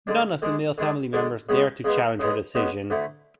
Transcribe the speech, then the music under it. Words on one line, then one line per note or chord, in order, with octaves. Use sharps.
None of the male family members dared to challenge her decision.
D3 G#3 D4
D3 G#3 D4
D3 G#3 D4
D3 G#3 D4
C#3 G#3 B3
C#3 G#3 B3
C#3 G#3 B3
C#3 G#3 B3
D2 D3 A3 E4